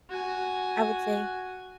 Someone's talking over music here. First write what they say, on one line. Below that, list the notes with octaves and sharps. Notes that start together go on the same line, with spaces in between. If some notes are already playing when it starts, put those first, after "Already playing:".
I would say
F#4 G#5